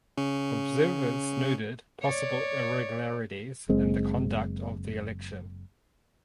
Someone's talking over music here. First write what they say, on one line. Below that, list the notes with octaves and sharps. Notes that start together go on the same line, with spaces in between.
Observers noted possible irregularities in the conduct of the election.
C#3 C#4
C#5 D5
F#1 G#3 C4